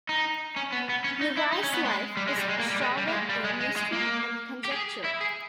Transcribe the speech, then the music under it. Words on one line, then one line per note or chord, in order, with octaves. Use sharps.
Levi's life is shrouded in mystery and conjecture.
D#4
C#4
B3
B3
C#4
D#4
E4
D#4
C#4
B3
G#3
G3
G#3
G3
G#3
A#3
G3
G#3
G3
A#3
G#3
G3
G#3
G#3
G#3
A#3
G4
G#4
E4
G#4